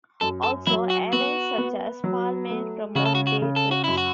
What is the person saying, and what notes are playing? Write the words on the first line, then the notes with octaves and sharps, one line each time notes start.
Also, airlines such as Palmair promote day trips.
F#2 A4
A4
F#3 E4
F#4
B3 F#4
B3
F#3
A3
C#3 F#4
A4
F#4
F#4
C#3
A4
F#4
F#2 E4
F#4